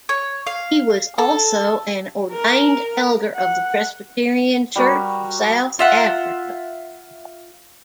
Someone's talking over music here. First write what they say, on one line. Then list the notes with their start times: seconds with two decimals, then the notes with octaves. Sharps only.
He was also an ordained elder of the Presbyterian Church of South Africa.
0.09 C#5
0.47 F5
1.18 A4
2.32 A#4
3.36 F#5
4.76 G3 F#4 A#4 C#6
5.79 F4 E5 F#5